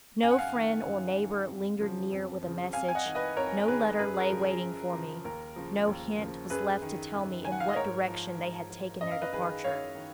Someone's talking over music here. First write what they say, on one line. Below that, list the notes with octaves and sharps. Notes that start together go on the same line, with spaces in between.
No friend or neighbor lingered near with a message; no letter lay waiting for me; no hint was left to tell me in what direction they had taken their departure.
F#2 G#5
F#5
F5 G#5
D#3
F#2
D#3
F2
C#3 F3
F2
C#3 F3
F2 F5 G#5
G#5
D#5 F#5
D#3
B4 D#5
F2 A#4 C#5
D#3 G#4 B4
F#2 G#4 B4
G#4
A#4
C#3 F3
G#4
F#2
F3
C#3
D#2 A#4
C#3 F3
D#2
C#3 F3
F#2 G#4 B4
D#3
F#2
D#3 G#5
F#5
F5
D#5
G#2 A#4 C#5
F3
G#2
F3
F#2 D#5
F5
B4 D#5
D#3 G#4 B4
F#2 C#5 F5
D#3